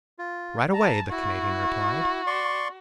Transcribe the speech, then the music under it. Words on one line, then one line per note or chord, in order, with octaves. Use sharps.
"Right away!" the Canadian replied.
F4
A5 A#5
E4 F#4
D5 C6 C#6